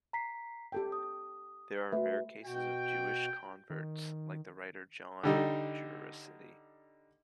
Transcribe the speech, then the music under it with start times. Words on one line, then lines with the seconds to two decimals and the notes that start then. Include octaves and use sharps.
There are rare cases of Jewish converts, like the writer Jon Juaristi.
0.13 A#5 B6 C7
0.72 G4 A4 G5
0.92 D#6
1.92 A3 F#4 B4 E5
2.46 B2 F#4 G5
3.70 D#3
5.23 D3 G3 D#4